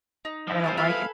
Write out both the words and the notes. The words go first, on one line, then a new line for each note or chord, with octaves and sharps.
and I don't like it.
D#4
F3 E4
C5 G#5 A5
F4 C5 E5 F5 B5
A4 B4 G#5